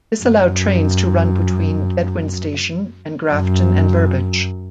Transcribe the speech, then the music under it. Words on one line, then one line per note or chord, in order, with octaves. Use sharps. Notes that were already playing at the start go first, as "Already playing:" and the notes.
This allowed trains to run between Bedwyn station and Grafton and Burbage.
F#2
F#2